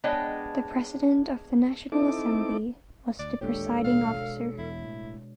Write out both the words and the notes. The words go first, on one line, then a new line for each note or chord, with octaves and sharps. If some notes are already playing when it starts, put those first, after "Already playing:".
The President of the National Assembly was the presiding officer.
G#3 B3 D4 C#5 D#5 G5
C4 D#4 E4 A4 D6
D2 D5
A1 D#2 A#2 G#3 D4 G4 A4 C#5
B2 F5
E2 E4
A2